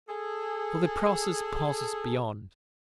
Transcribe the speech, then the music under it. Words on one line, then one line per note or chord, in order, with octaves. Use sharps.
For the process passes beyond.
G#4 A4